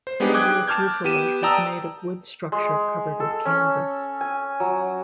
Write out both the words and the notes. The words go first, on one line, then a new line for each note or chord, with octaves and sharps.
The rear fuselage was made of wood structure covered with canvas.
C5
G#3 B3 D4 D#4 G4 G#4
G5 D6 D#6 F#6 G#6
A5 D6 F6 G6 G#6
B3 G4 D#7 E7
D5 G5 A5 A#5 D#6 E6
G#3
A4
C#4
G#5
F#3